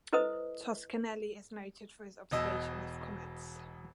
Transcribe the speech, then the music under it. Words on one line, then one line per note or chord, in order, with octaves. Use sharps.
Toscanelli is noted for his observations of comets.
E4 A4 B4 C5 D#5 D#6
E1 B2 D#5 E6